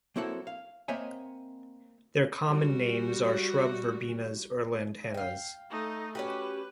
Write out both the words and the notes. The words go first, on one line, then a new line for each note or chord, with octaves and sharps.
Their common names are shrub verbenas or lantanas.
F#3 A#3 C4 E4 A4 F#5
F5
A#3 C4 C#5 D#5 E5 G#5
G3 F#4
F5 G5
A3 D#4
C#4 F#4 G4 B4